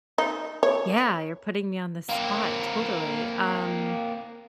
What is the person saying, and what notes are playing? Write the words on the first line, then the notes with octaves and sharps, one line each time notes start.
Yeah, you're putting me on the spot, totally, um
D#4
C#5
A#3 C4